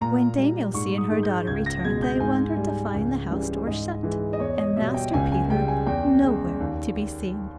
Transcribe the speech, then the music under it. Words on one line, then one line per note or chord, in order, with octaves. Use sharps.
When Dame Ilse and her daughter returned they wondered to find the house door shut, and Master Peter nowhere to be seen.
A#2 A#5
G3
G#2 C#6
D#6
D#3 G#3
G6
C#2 G#6
A#6
B2 G#3 G#6
G6
G#2 G#5
G3
C#2
C#3 E3 G3
G#2 D#5
E3 G#3
D#5
E2 C#5
D#5
B2 G3 E5
G5
C#2 G#5
G#5
C#3 G3 G5
G#5
E2 G5
C#3 G#3
D#2